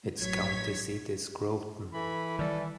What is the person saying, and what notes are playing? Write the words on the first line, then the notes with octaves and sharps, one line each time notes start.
Its county seat is Groveton.
A1 F#3 C#5 G#6 B6
E3 A4 B5
D#3 F#3 G3 A4 D5